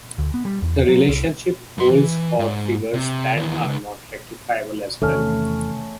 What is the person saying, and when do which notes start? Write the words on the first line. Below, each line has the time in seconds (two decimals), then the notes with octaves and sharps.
The relationship holds for figures that are not rectifiable as well.
0.18 D2
0.34 B3
0.45 G3
0.62 E2
0.89 F#3
1.09 C2
1.78 F#2 C6
1.91 E3
2.39 G#2
2.94 C3
3.36 D#2 E3
3.66 C#2
5.02 E2 C3 D#3 A3 C#4 A4 F6